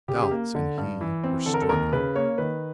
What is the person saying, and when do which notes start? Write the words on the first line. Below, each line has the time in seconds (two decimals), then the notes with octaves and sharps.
Doubts and he were struggling.
0.08 C#3 G4
0.15 G#4
0.22 G4
0.31 A#3
0.55 D3
0.78 G2
1.01 E3
1.24 C4
1.46 D3 A4
1.54 A#4
1.61 A4
1.69 D#2 A#4
1.93 C#3 B4
2.15 A#3 C#5
2.38 D#3 B4